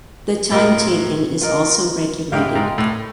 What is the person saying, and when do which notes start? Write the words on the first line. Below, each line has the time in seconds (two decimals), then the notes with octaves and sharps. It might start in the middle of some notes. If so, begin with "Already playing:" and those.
The time taken is also regulated.
0.51 A2 F4 A#4 D#5
1.41 F4 A#4 D#5
2.32 G#2 E4 G4 C5 F5
2.55 G#2
2.78 A2